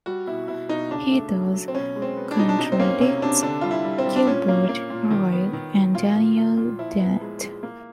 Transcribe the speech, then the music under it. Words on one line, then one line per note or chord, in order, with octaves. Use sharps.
He thus contradicts Gilbert Ryle and Daniel Dennett.
G3 F#4
B2 E4
B2 E4
B2 D#4
C#3 D4
A3
F#3
F#3
C4
B2 C#4
G#3
C4
B3
D4
B2 D#4
D4
C3 D#4
C4
A#3 C#4
C3 C#4
C3 D4
D3 D4
G3 F4
E4
G3
C4
G3
D4
A#2 C#4
A#3
A#3
A#2
D#3
B3
D#3
F#3
A#2 F4
A#2
A#2
A#2
F3 E4
B3
G#3
G#3
A#3